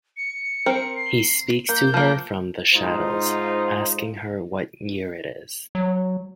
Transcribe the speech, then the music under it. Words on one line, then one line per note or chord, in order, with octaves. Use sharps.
He speaks to her from the shadows, asking her what year it is.
C#7
C4 A#4 C5
C7
A#3 G6
F3 A#3
G#2 D#4 F4 C5
F#3